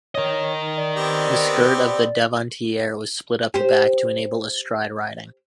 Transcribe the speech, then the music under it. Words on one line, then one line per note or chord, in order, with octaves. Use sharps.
The skirt of the devantiere was split up the back to enable astride riding.
A#4 C#5 D#5
D5
B3 C4 G4
G4 C5